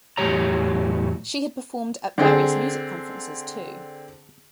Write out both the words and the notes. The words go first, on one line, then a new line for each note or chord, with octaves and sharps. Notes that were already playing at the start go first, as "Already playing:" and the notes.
She had performed at various music conferences too.
E2 A2 F#3 G4 C#5 A#5
D3 C4 G#4